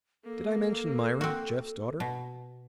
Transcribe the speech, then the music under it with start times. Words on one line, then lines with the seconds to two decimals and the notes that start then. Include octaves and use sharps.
Did I mention Myra, Jeff's daughter?
0.25 A#3 A4
1.21 C4 F#4
2.00 B2